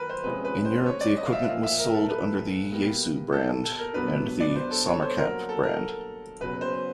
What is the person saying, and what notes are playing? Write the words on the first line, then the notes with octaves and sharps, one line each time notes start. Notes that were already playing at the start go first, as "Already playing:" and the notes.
In Europe the equipment was sold under the Yaesu brand and the Sommerkamp brand.
Already playing: D#3 F#3 A#4 B4
C5
C3 F3 G#3 C#4 B4
B4
C5
C#5
D5
D#5
F5
E5
A#2 F3 A#3 F5
E5
A#4
A4
B4
B2 G3 A#3
A4
A4
A#4
C2 B2 F#3 B3 D4 B4
D5
C5
A4
C#5
C5
D3 F#3 A#3 A#4
A4
A#4
E2 C#3 F#3 B4
C5